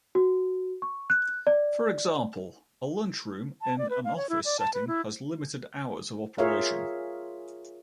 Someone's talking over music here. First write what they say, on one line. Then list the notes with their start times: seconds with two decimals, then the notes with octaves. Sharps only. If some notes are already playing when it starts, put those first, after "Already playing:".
For example: A lunch room in an office setting has limited hours of operation.
0.15 F#4
0.82 C#6
1.10 F#6
1.47 D5
3.62 A5
3.78 D5
3.90 B4
4.05 F5
4.17 C#5
4.29 E4
4.45 D5
4.59 A5
4.74 B4
4.87 E4
6.38 F4 G#4 A#4 C#5 E5 F5